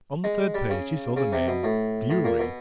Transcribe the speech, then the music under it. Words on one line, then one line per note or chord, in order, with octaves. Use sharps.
On the third page he saw the name Bewery.
G#3
G3
C#3
C#3
C3
B2
A2
A2
A#2
B2